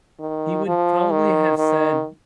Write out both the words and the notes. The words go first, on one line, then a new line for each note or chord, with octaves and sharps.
He would probably have said
D#3
F3
D#3
D#3